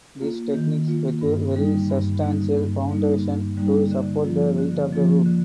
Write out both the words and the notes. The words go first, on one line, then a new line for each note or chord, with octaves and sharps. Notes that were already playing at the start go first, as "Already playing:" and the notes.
This technique requires very substantial foundations to support the weight of the roof.
A#3 F4
D#3
A#3 F4
G2
D3 G3 A#3 D#4
G2
D3 G3 A#3 D#4
G2
D3 G3 A#3 D#4
G2
D3 G3 A#3 D#4
D3
F3 A#3 F4
D3
F3 A#3 F4
D3